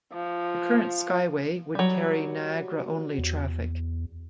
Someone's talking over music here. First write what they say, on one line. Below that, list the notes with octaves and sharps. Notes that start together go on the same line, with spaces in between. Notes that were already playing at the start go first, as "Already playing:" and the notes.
The current Skyway would carry Niagara-only traffic.
F3
F#3 G3
E2